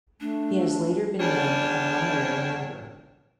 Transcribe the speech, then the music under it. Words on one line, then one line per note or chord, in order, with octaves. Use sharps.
He has later been named an honorary member.
A3 D4
E2 G3 D4 C#5